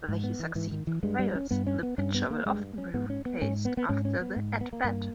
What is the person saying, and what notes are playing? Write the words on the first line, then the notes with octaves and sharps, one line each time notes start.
Whether he succeeds or fails, the pitcher will often be replaced after the at-bat.
G#2
B3
E3
G#2 E3
D#3
E3
G2 G#3
G3
C#4
G2 B3
C#4
B3
G2 C#4
B3
A#3
G2 G#3
C#4
G#2 B3
C#4
B3
G#2 C#4
B3
B3
G#2 C#4
C#4
B3
G#2
B3
A#3
G2 A#3